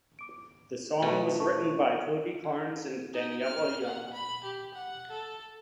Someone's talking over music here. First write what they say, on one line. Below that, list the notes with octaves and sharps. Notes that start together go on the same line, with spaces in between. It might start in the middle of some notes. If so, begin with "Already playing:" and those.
The song was written by Cody Carnes and Daniella Young.
D6 D7
B2 A3
A#4 A5 C#6
D#4
F6
F#5
B5
G4
F#5
A4